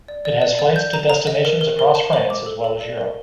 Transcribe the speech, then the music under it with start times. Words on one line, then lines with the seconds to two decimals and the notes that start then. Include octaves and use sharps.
It has flights to destinations across France as well as Europe.
0.08 D5
0.25 D5
0.42 D5
0.59 D5
0.76 G6
0.94 A#5
1.10 A#5
1.27 D#5
1.45 A#4
1.61 A#4
1.79 A#4
1.95 A5
2.13 C5
2.30 D6
2.46 A4
2.64 A4
2.81 D5
2.98 A#4